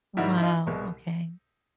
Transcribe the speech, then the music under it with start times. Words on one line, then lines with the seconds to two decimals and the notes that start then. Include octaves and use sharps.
Wow, okay.
0.17 G#2 D#3 G3 E4 F#4
0.38 E4
0.42 D#4 F4
0.66 C2 B2 G#3